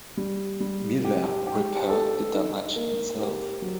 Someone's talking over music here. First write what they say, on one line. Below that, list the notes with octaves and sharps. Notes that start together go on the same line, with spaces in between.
Miller repaired the damage himself.
G3
G3
G4
G4
A4
D#4
A#3
G4
F#3